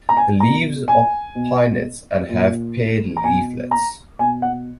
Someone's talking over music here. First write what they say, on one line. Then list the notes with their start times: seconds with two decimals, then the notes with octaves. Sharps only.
The leaves are pinnate and have paired leaflets.
0.09 A#5
0.17 G#5
0.40 B2 A#5
0.88 G#5
1.35 B2
2.29 A#2
3.17 A#5
3.24 B2 G#5
3.71 A#5
4.19 B2 G#5
4.42 F#5